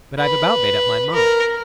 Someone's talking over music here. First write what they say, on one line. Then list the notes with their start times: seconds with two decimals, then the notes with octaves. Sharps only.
But I've about made up my mind.
0.19 B4
1.14 A#4